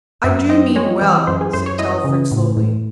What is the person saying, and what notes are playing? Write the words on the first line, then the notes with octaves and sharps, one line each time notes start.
"I do mean well," said Telford slowly.
F#2 E5
C4 D#5
G#3 C#5
E3
F#2 C5
G#4
F#2 C5
C#5
E3 D#5
C#3
A2
A2